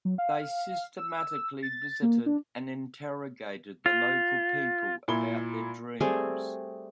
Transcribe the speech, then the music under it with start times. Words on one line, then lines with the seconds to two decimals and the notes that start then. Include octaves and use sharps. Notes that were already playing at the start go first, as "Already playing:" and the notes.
They systematically visited and interrogated the local people about their dreams.
0.05 F#3
0.18 F5
0.97 E6
1.63 A6
2.02 A#3
2.26 D4
3.86 F4
5.08 A#2 E4 B5 G7
6.00 G3 A3 C4 G#4